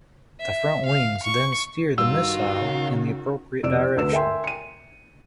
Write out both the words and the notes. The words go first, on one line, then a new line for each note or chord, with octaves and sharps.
The front wings then steer the missile in the appropriate direction.
E5
F5
C#6
G2 D#3 F4 F#4 E6
C#3
F1 E4 D5 E6 D7 E7
D2 B4 E6 E7
A#4 E5 G5 G#5 C6
C#7 D#7